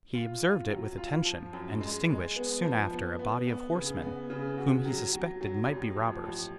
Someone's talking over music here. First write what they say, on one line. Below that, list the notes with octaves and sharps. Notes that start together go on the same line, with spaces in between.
He observed it with attention, and distinguished soon after a body of horsemen, whom he suspected might be robbers.
F4
F4
F#3
F4
F3
F#2
G#3
G#3
B3
F3
B3
B3
B3
C#3
B3
C#3
F#4
F#3
F#3
F#3
A1
F3
A1